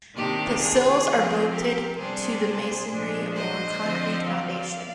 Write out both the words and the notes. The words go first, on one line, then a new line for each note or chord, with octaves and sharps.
The sills are bolted to the masonry or concrete foundation.
C3 D#3 A#3 D4 G4
F4 G#4
F3 C4
G4 A#4
C3 G3 D4 G#4 C5
A#2 F3 G#3 D4
C5 D#5
D3 F3 C4
D5 F5